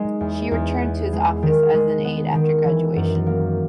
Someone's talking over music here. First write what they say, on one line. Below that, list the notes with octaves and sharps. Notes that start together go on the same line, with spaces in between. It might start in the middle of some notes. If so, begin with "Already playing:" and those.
She returned to his office as an aide after graduation.
Already playing: G#3 D#4
E2
E2
B3
G#3
D#3
G#3
B3
D#3
E3
F#2
A#3